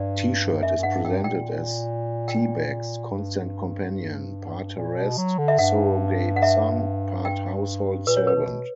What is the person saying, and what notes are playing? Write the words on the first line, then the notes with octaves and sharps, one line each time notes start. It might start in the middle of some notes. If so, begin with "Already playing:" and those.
T-Shirt is presented as T-Bag's constant companion, part harassed surrogate son, part household servant.
Already playing: G2 D5
F#2 E5
F#2
G2 F#5
G2 G5
A#2 G5
G5
G2
A#2
B2
F#3
D3
E5
G2 F#5
F#5
E5
G5
A#2 B4
C#5
B4
B2